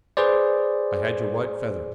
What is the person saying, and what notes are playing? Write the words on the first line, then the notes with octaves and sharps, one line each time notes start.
"I had your white feather."
G#4 B4 C5 D5